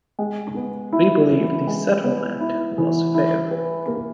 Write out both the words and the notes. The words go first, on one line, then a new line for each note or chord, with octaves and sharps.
We believe the settlement was fair.
G#3
B3
E4
E3
G#3
B3
E4
E3
E4
B4
A#3